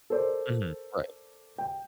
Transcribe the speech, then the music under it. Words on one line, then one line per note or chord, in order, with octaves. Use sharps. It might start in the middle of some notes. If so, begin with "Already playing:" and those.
Mhm. Right.
A4 A#4 C5 D5
G5